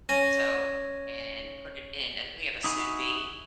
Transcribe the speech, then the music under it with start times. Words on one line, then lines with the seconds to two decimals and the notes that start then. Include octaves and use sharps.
So and put it in a we have a sous vide,
0.09 C#4 G#5 A#6
2.64 D#4 E4 F#4 G#4